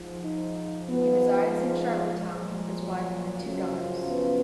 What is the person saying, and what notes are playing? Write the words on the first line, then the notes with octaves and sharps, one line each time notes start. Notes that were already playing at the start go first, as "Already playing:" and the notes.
He resides in Charlottetown with his wife and two daughters.
Already playing: G#2 F3
D#4
G#2 F3 B3
G#3
A#2 F3 G#3
F#3
F#2 C#3 F3 F#3
B3